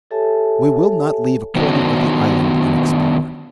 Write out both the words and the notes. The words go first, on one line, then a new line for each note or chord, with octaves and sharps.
We will not leave a corner of the island unexplored.
G4 A4 C#5 E5 G#5 A5
D#3 B3 D4 D#4 F#4 C5